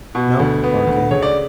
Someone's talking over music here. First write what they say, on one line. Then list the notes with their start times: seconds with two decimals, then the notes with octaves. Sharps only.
No? Okay.
0.15 B2
0.40 D2
0.64 B3
0.87 D2
1.11 C#3 C#5
1.22 D5